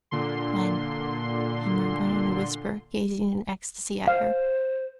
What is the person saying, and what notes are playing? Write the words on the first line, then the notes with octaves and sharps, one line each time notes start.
"When?" he murmured in a whisper, gazing in ecstasy at her.
A#2 D3 C6
C5 F5